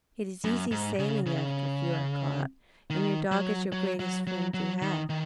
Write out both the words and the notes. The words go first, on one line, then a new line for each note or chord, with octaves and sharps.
It is easy sailing after a few are caught, and your dog is your greatest friend you have.
F#2
G#2
C#3
C#3
D#3
F#3
F#3
F#3
F#3
F#3
D#3
D#3